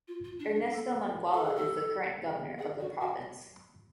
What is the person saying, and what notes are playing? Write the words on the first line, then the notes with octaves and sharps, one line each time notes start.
Ernesto Muangala is the current governor of the province.
F4
F4
D4
D4
A4
A4
G#4
A4
G#4
F#4
F#4